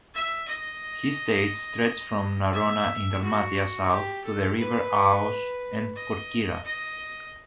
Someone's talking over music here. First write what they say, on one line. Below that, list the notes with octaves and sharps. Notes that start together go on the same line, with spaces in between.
His state stretched from Narona in Dalmatia south to the river Aoos and Korkyra.
E5
D#5
E5
F#4
G4
A4
B4
D#5
D#5